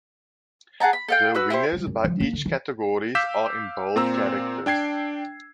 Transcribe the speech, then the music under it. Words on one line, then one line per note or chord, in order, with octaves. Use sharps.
The winners by each categories are in bold characters.
G#4 F#5 A5 A#5
B5
A4 F5 G5
F#4 B4 E6
E4 G4 C5
F#3 G3
F#2
F3 G3
A#3 B3
D3
E3
F5 D6 E6 G6 B6 E7
A#2 C4 A#5 E6
D4 G5 G#6 C7